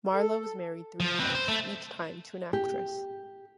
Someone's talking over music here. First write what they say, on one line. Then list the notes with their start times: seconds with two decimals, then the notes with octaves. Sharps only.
Marlowe was married three times, each time to an actress.
0.14 A4
1.00 F3
1.20 C4 B4
1.35 C5
1.48 A3
2.53 G4